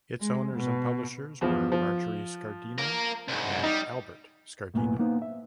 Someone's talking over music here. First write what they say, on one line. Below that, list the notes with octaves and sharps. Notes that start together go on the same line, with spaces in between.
Its owners and publishers were Marjorie Scardino and Albert Scardino.
G#3
B2
E2 F3
F3
A#4 F5
C2 G#2
G3 D#4
B1 A2 A#3 B3 G#5
A#3 B3 D#4 C5
E5